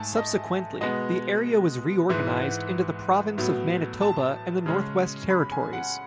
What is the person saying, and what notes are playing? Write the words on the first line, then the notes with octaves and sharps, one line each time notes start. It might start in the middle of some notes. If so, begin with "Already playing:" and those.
Subsequently, the area was re-organized into the province of Manitoba and the Northwest Territories.
Already playing: G#2 A3 G#5 A5
D#5
B2 G#3 B3 D#5
G#2 E3 G#3 E5
F#5
A2 F#3 B3
A5
C#3 G#3 C#4
B5
G#5
F#5